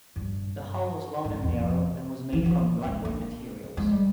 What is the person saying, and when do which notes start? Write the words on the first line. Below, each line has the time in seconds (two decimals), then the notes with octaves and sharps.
The hull was long and narrow and was made from lightweight materials.
0.16 G2
1.24 G#2
1.42 E2
1.59 F2
2.33 E3
2.46 E3
2.51 F3
2.87 G#3
3.05 A#3
3.77 G#3
3.91 G3